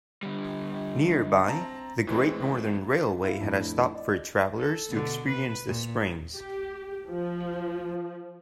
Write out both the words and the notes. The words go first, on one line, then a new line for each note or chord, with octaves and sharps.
Nearby, the Great Northern Railway had a stop for travelers to experience the springs.
D3 G3
C4 A5 A#5
A2 E3 G#3 C4
E4 F4 E5 F5
F2 A2 D4
D5 D#5
A4
B2 D3
B4
A#2
G4
F3